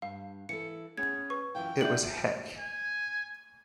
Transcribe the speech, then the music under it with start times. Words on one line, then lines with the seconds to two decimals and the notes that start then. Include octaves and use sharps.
It was heck.
0.02 G2 F5
0.49 E3 A4 C#7
0.97 B3 C#4 G#4 G#6
1.30 B4 C#6
1.55 F#2 E3 F4 G5
1.81 B3 D4 D5 E5 G6 F#7
2.58 G#5